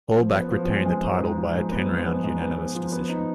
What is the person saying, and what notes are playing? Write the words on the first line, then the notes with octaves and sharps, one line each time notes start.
Hallback retained the title by a ten round unanimous decision.
F3
B3
F3
G#3
G#3
G#2
G#2
F3
G#2
B3
F3
B3
G#2
B3
B3
F3
B3
D#4